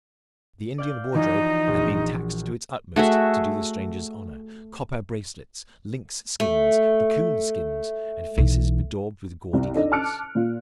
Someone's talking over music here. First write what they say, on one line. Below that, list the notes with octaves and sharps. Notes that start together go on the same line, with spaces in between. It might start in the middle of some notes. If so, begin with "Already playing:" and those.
The Indian wardrobe had been taxed to its utmost to do the strangers honor,--copper bracelets, lynx-skins, raccoon-skins, and faces bedaubed with gaudy colors.
D5 F5 G6
E3 F3 D#4 F#4
A#1
A3 F#4 G#4 E5
A3
B1 E3
C2
D4 D#4 A4 D5 D#5
A5 D6 F6 F#6 C#7 D7
A#2 F4